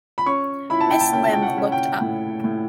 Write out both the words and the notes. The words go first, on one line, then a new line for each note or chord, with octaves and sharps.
Miss Limb looked up.
B5
C#4 C#6
E4 B5
A5
G5
A5
C#4 G5
A5
G5
F#5
C#4
G5
A2
A2